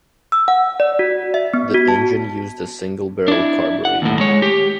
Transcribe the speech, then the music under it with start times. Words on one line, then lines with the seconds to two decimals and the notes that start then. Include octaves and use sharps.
The engine used a single-barrel carburettor.
0.32 E6
0.48 F#5
0.80 D5
0.99 F#4
1.34 E5
1.54 B3
1.74 F#4
1.88 A5
3.28 D4 E4
3.85 F#5
4.02 D#2 A2
4.20 G#3 C#5
4.42 G4